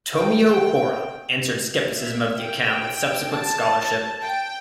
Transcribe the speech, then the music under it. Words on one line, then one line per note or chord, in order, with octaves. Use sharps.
Tomio Hora answered skepticism of the account with subsequent scholarship.
G5
E5
G5
A5
G5